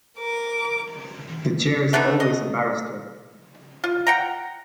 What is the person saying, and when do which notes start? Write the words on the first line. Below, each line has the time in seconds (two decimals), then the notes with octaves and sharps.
The chair is always a barrister.
0.18 A#4 D6
1.93 A3 B3 D4 D#4
2.20 D#5
3.84 F4
4.07 F#5 G5 A#5